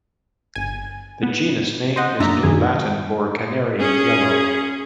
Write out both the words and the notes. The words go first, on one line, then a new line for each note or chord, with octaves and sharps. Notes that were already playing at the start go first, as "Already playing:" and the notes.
The genus name is New Latin for "canary-yellow".
G1 G#5
B3
C5 D#5 F#5
F#2 A#2 D4 E5 A#5
F#2 D#3 G#4
C#4 G#4